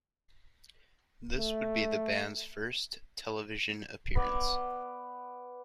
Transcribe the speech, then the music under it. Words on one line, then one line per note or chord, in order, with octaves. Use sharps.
This would be the band's first television appearance.
A3
B3 D5